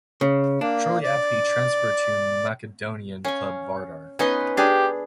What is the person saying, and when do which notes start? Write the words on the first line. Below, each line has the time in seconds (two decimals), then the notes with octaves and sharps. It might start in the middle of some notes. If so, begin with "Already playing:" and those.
Shortly after he transferred to Macedonian club Vardar.
0.21 C#3
0.61 A#3 D4
1.03 D5
3.25 C#4 F5 C#6
4.19 B3 C#4 D#4 B4 C6
4.57 D4 G4 G#4